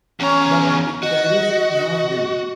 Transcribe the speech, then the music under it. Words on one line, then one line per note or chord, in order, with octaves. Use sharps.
But it carries no guilt.
E2 C#4 A#5
F#4 D#5